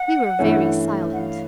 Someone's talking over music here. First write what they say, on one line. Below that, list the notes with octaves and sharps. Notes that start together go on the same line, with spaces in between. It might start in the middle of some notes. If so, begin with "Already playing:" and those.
We were very silent.
Already playing: F#5
G2 E3 A3 C#4
F#5
F5